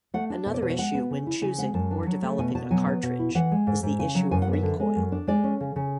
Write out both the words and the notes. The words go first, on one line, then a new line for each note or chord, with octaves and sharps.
Another issue, when choosing or developing a cartridge, is the issue of recoil.
A3 F#5
D4
B2 E5
D5
B2 B4
E5
G#3 F#5
B3
C#3
E4
C#3 G#5
G#3 F#5
F#2 A5
D4
F#3
A3
B2 G#5
B2 A5
F#3 G#5
B3
B2
E4
E3 F#5
G#3
G#2
G#2
C#3 G#5
F#3
F#2 G#5
F#5
B3
E5
D3
G#3
F#2
D4
G#3 D5
C#4
C#3
C#3